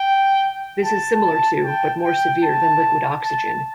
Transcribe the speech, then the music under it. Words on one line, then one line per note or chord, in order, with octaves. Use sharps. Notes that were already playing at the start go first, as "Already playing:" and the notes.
This is similar to, but more severe than liquid oxygen.
Already playing: G5
A5
A5
G5
G5
A5
A5